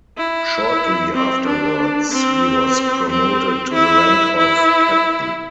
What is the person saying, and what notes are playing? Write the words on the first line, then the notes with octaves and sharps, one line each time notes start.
Shortly afterwards he was promoted to the rank of captain.
E4
C4
D4
C4
C4
E4
E4